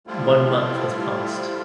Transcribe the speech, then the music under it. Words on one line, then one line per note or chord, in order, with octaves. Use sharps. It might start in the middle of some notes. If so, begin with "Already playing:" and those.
One month has passed.
F3 G3 A3 E4 F4